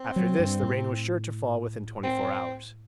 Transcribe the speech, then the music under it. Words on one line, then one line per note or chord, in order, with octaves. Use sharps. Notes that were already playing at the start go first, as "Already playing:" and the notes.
After this the rain was sure to fall within twenty-four hours.
Already playing: C4
F#3
G2
A2
C4